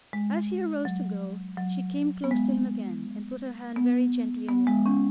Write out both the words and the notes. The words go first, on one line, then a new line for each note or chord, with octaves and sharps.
As he arose to go, she came close to him again, and put her hand very gently on his arm.
G#3
F#3
F#3
B3
G#3
B3
B3
G#3
C#4